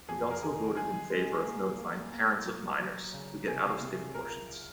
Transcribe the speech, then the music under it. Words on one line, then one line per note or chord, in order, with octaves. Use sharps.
He also voted in favor of notifying parents of minors who get out-of-state abortions.
F2 G#4
A#4
D#3 G#4
G#3 G#4
G#3
A#3
A#3
A#3
F#3
F#3
C#3
C3 G#4
C3
C#2 A#4